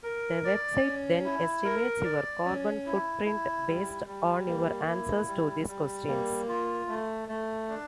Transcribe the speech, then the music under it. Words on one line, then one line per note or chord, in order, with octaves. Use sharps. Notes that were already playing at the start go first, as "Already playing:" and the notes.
The website then estimates your carbon footprint based on your answers to these questions.
A#4
D5
C#4
E4
A#4
D5
C#4
E4
E4
G3
G3
A#3
E4
G3
G3
A#3
F4
A3
A3
D4